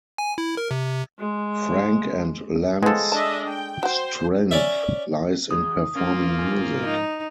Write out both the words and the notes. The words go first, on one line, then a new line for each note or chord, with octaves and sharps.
Frank and Len's strength lies in performing music.
G#5
E4
A#4
C3
G#3
F3 G#3 B3 A4
D4 D#5 E5 A5
G5
F#4 C5 G5
C#4 D5 E5
E3 G#4 D#6
A#3 C#4 F4
G#2 F3 G#5
D#4